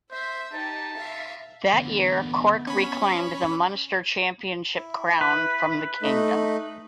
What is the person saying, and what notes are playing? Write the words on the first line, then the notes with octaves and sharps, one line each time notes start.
That year Cork reclaimed the Munster Championship crown from the Kingdom.
C5 E5
D#4 G4 A5
E5 F5
E2 D3 B3
C#4 C#5 B5
E4
B4
A3 D#4